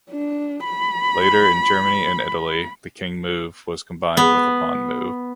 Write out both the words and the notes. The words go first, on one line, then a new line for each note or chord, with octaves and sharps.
Later in Germany and Italy, the king move was combined with a pawn move.
D4
B5
B3